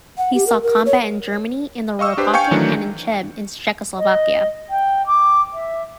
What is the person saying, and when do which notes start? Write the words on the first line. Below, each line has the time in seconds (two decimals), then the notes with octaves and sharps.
He saw combat in Germany in the "Ruhr Pocket" and in Cheb in Czechoslovakia.
0.18 F#5
0.34 G4
0.47 A#4
0.63 A#4
0.86 C#5
1.99 D#5 F5 C#6 E6
2.17 D4 G4 B4 C5
2.33 F5 G5 G#5 C#6 G6 C#7
2.51 D#3 E3 F#3 A3 D4
3.97 D#5
4.69 G5
5.06 D6
5.53 E5